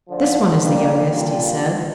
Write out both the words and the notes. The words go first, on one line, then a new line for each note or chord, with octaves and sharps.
'This one is the youngest,' he said.
D2 D3 F3
F2 D3 G3 A#3
A#2 G3 D4 F4